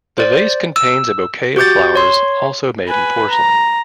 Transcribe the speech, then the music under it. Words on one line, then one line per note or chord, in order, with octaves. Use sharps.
The vase contains a bouquet of flowers also made in porcelain.
C5 D5
E6
F#4 G4 D6 G6 A6
C#5 C6
B4 G#5
A#5